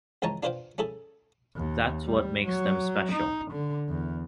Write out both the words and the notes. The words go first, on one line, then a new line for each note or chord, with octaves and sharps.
That's what makes them special.
C#2 E3 D#4 C#5 A5 A#5
D4 F4 B4 C5 F5 G5
C#4 E4 G#4 A4
D#2
G3
F#3
D#4
D3
E2